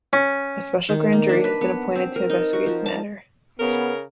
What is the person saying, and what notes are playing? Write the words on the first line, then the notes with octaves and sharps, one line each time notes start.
A special grand jury has been appointed to investigate the matter.
C#4
D#3
A#3
D4
B4
B3
C4
A#4
D#4
F#4
F3
A5
C#3 B3 A#4